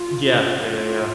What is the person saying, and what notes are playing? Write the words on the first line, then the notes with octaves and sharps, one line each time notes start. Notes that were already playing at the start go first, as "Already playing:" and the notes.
Yeah. Yeah, yeah, yeah.
Already playing: F4
F4